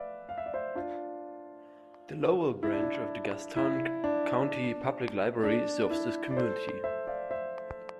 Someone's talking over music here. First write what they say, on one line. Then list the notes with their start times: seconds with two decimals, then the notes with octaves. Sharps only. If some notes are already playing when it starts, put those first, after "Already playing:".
The Lowell Branch of the Gaston County Public Library serves this community.
Already playing: B4 D5 E5 F5
0.29 F5
0.38 E5
0.46 D5
0.54 C5 E5
0.75 D4 F4
2.63 E4
2.73 D4
2.82 E4
3.56 E4
4.04 D4
5.44 D4
5.90 E4
6.31 D5
6.37 A4 C5
6.84 C5 E5
7.07 D5 F5
7.31 C5 E5